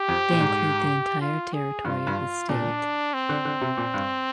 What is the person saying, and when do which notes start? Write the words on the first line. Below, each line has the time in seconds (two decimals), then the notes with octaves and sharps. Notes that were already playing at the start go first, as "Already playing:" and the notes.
They include the entire territory of the state.
Already playing: G4
0.08 F2
0.31 A#2
0.40 G#2
1.21 F4
1.53 G#4
1.85 G2 F4
2.07 G2
2.49 A#2 D4
3.14 C4
3.29 D3
3.45 D3
3.61 C3
3.77 A#2
3.94 G2